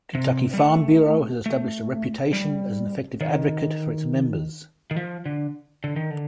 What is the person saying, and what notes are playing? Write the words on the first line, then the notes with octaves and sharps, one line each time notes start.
Kentucky Farm Bureau has established a reputation as an effective advocate for its members.
C3
G3
A3
A3
G3
D#3
D#3
F3
D3
D3
D#3
D3